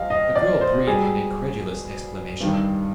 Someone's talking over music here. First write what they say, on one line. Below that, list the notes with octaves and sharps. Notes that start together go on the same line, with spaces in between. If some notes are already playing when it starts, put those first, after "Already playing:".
The girl breathed an incredulous exclamation.
Already playing: F2 G3 D#5 F5
D#5
D5
C5
B2 G3 G#4
G2 D#3 G3